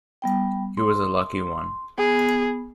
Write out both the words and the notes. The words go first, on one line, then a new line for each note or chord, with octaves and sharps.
He was a lucky one.
G3 B3 G5
C6
B3 G#4